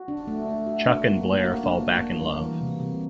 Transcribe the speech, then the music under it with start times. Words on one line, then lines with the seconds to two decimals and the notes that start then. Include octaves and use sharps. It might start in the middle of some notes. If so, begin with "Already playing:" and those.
Chuck and Blair fall back in love.
Already playing: F#4
0.08 D4
0.27 A3
0.47 A3
0.67 F#4
0.86 D4
1.05 A#3
1.25 A#3
1.44 F#4
1.64 D4
1.83 A#3
2.02 A#3
2.22 G3
2.41 E3
2.61 C3
2.80 C3